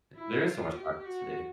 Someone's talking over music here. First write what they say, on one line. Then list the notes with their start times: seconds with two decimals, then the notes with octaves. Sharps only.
There is so much toxicity,
0.15 E4
0.45 F4
0.75 G4
1.05 F#4